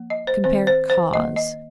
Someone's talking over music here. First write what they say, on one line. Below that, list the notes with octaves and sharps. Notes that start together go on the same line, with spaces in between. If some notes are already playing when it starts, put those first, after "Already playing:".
Compare CAUSE.
Already playing: F3 A#3
D#5
C5
D#3 C4 C5
C5
C5
D#3 A#3 D#5
D#5